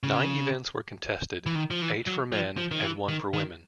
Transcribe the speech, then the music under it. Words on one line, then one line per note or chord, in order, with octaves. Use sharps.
Nine events were contested, eight for men and one for women.
C#3
E3
D#3
F3
E3
F#3
F3
F3
D#3
E3
D#3
D#3